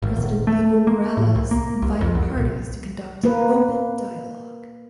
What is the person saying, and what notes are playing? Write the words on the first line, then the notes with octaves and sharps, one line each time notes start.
President Evo Morales invited parties to conduct "open dialogue".
G#1
D#1
A3
A#3
A2
C2
A#3
C2
F2
C2
A#1
A#3 B4